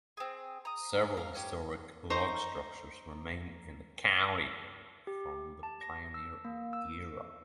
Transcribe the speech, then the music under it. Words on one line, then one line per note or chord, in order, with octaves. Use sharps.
Several historic log structures remain in the county from the pioneer era.
C4 G#4
A#5 D#6
A#4 F5
C#4 G4
D#4 C5 A#5 C#6
G4
A5
A#6
E6
A#3
E6